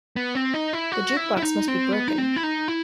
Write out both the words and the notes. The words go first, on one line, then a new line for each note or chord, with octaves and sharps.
The jukebox must be broken.
B3
C4
D#4
E4
F#4
E4
E4
D#4
C4
B3
D#4
C4
E4
D#4
E4